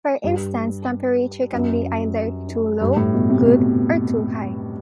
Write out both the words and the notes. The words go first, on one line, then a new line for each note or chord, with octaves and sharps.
For instance temperature can be either "too low", "good" or "too high".
G2
F#2
G2
A2
B2
C3
B2